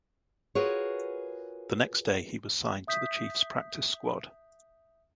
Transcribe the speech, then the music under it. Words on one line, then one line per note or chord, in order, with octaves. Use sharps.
The next day he was signed to the Chiefs practice squad.
F4 F#4 G#4 A#4 B4 C#5
E5 D#6 G6 B6